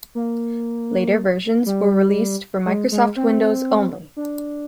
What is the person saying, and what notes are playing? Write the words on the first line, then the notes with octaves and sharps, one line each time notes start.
Later versions were released for Microsoft Windows only.
A#3
G3
G#3
G#3
C4
D4